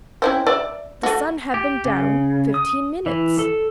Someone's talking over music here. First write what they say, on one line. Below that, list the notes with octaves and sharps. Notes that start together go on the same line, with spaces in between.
The sun had been down fifteen minutes!
C4 C#4 E4
D5 E5
A3 F#4
G4
C#3
D#6
E3
A4